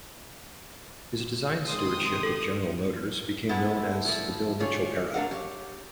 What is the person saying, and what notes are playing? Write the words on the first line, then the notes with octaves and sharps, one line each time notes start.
His design stewardship at General Motors became known as the 'Bill Mitchell era'.
C3 D#3 G#3 C6 D#6
A4
G#3 A3 B3 E4
F3 A3 E4
D3 F4 G#4 C#5
A3 D4 A#4 F5 F#5
G4 C#5